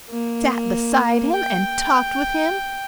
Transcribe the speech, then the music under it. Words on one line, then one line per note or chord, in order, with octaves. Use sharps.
Sat beside him and talked with him!
A#3
G5